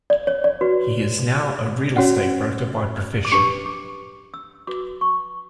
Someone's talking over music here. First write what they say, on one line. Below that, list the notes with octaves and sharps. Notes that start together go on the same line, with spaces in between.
He is now a real estate broker by profession.
D5
C#5
D5
F#4 B4
C#4 F#4 C#5 F#5
D6
D4 G4 B4 C#6
D6
E6
F#4 B4 D6
C#6